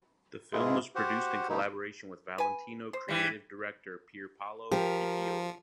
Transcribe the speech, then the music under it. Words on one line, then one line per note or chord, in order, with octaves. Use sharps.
The film was produced in collaboration with Valentino creative director Pierpaolo Piccioli.
G#2 B2 G#3 E4 F4 G#4
F#4 G4 C5 F#5
B2 F3 A3 D#4 E4
B4 G#5
C5
E3 G3
F3 G4 A#4